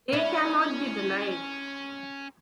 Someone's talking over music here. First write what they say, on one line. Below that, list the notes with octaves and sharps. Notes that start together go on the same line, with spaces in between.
They cannot be denied.
C#4 D4 E4